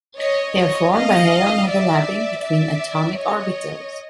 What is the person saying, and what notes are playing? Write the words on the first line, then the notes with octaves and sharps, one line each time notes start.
They are formed by head-on overlapping between atomic orbitals.
C#5 D#5
C#5 D#5
D#5 F5
D5 E5
D5 E5
C#5 D#5